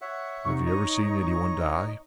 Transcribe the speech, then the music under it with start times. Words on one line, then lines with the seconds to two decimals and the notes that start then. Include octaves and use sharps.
"Have you never seen any one die?"
0.01 C#5 E5 F#5
0.45 C3 D#4 C#6
0.66 C#5 D#5 A#5